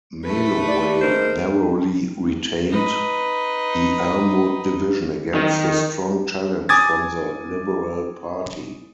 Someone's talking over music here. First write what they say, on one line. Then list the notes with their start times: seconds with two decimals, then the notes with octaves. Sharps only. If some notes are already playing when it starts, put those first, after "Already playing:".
Maloway narrowly retained the Elmwood division against a strong challenge from the Liberal Party.
0.24 A3 B4
0.67 D5
1.01 G#2 A#4 C5
2.70 D#4 B4
5.35 D#3
6.69 G#5 D6 D#6 G#6 A6